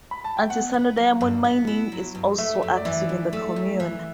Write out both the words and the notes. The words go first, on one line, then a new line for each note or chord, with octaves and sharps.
Artisanal diamond mining is also active in the commune.
B5
A5
G5
B3 F#5
E4
F#3
G2
B3
E4
F#3
G2
A3 E5
F#2
D5
E3 E5
F#2
A3
F#2
E3